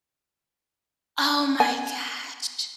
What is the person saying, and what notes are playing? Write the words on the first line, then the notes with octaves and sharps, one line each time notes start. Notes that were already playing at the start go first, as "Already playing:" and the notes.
Oh my gosh.
G#5